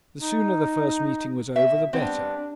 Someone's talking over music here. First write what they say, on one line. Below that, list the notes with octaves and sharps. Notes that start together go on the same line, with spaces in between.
The sooner the first meeting was over the better.
D#4
B2 E5
G3 B3 C4 D4